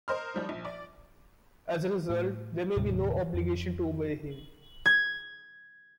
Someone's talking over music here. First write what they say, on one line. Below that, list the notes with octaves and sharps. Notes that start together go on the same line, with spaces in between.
As a result, there may be no obligation to obey them.
A#4 C5 D#5 C6 F6
F3 G3 D#4
A#1
D5
A2
D#2 A2 C3 D#3
F2
G#6